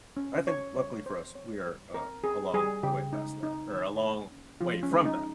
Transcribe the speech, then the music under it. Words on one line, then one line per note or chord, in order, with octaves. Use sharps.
I think luckily for us, we are, uh, a long way past that or a long way from that.
C#4
C#4 C#5
G3 C#5
C4 C5
C4 C#5
G3
C4 A#4
C4 G#4
G3 G#4
C#3 G4
G#3 D#4
C4 D#4
D#3
A#3
C#4
F3 F4
C#4
G#3
D#4